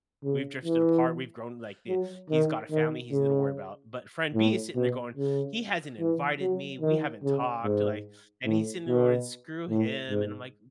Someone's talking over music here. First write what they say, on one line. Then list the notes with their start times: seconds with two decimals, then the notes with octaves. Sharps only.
we've drifted apart, we've grown, like, the he's got a family he's gonna worry about." But, friend B is sitting there going, "He hasn't invited me, we haven't talked," like, and he's sitting there going, "Screw him." And I'm like
0.24 C#3
0.65 E3
1.88 F#3
2.30 D#3
2.71 D#3
3.11 C#3
4.35 A2
4.75 B2
5.17 C#3
5.99 E3
6.40 F#3
6.81 D#3
7.23 C#3
7.64 G#2
8.45 A2
8.87 B2
9.69 A2
10.10 G#2